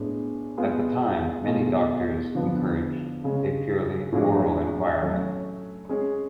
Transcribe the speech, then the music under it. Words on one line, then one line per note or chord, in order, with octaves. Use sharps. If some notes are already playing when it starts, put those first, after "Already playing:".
At the time, many doctors encouraged a purely oral environment.
Already playing: A2 G#3 B3 D4
G#3 B3 F4 G#4
B2 A3 F4 G#4
D3 F3 B3 D4
C#3 G#3 C#4
A2 F3 G#3 D4 F#4
F#3 A3 C#4
G#3 C#4 G#4